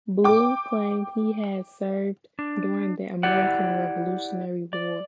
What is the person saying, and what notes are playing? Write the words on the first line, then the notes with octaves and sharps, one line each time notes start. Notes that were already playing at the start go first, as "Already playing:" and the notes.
Blue claimed he had served during the American Revolutionary War.
G5 D6
D4
E4 G4 D5 F#5
D5